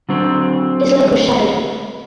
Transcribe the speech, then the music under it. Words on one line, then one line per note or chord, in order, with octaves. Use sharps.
His leg was shattered.
D3 F#3 C4